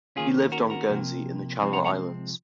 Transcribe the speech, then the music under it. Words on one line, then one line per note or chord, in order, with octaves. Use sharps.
He lived on Guernsey in the Channel Islands.
D#3 A#3 C#4 F4 G#4
F#4 A#4
F#4 A#4
C3 F3 A#3
C3 F3 G#3 C4 D#4
F#5 A#5
F#5 A#5